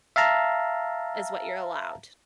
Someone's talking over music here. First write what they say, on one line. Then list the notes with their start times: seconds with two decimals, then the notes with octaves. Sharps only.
is what you're allowed."
0.16 E5 F5 A5 A#5